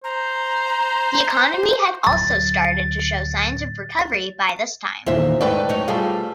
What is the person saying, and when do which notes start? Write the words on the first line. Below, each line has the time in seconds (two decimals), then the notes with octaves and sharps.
The economy had also started to show signs of recovery by this time.
0.04 C5 A#5
2.07 D1 F#3 A6
5.06 E2 A#2 D#3 E3 C5 E5
5.41 G#2 A3 B4 D5 G5
5.69 F#2 D#4 C#5
5.88 G3 A3 F4 G#4